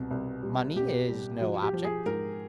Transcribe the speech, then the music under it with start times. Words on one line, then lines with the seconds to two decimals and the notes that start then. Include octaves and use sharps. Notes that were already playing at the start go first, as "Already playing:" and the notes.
"Money is no object?"
Already playing: C2 B2
0.11 C2
0.43 G3
0.76 B2 G4
1.08 G3
1.41 F3 F#4
1.62 G4
1.73 F3
1.84 G#4
2.06 G#2 A#4